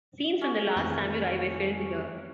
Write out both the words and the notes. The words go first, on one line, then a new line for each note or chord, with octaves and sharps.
Scenes from "The Last Samurai" were filmed here.
C#4 G#4
F2 D#3 E3 A3